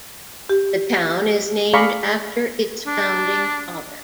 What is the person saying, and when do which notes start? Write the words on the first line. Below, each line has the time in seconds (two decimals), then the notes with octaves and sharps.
The town is named after its founding father.
0.49 G4
1.73 G#4 D5 F5 A#5 B5 C#6
2.87 D4